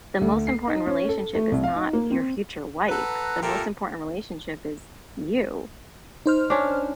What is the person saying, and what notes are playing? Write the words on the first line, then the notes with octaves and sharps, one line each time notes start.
the most important relationship is not your future wife: the most important relationship is you.
D2
C7
D#4
C#4
A4
A3
C2
F5
D#4
A#3
C4
A4 B4 F#5 A#5
A#2 G4 A4 A#4 E5
D#4 C5 F6
C#4 D4